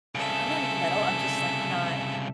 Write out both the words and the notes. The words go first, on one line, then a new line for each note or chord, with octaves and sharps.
I'm not even that old. I'm just, like, not
C2 C#3 A4 E5